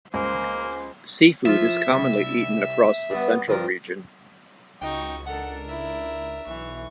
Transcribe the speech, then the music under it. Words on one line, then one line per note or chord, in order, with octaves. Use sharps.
Seafood is commonly eaten across the Central Region.
C#2 A#3 C5
F3 E4 F4 E5
C2
G2 B3
G2 F3 A#4
C#2 D#4 F#4 G5 C#6
D4 A4 A#4 F#5
E4 E5
B1 E3 C#6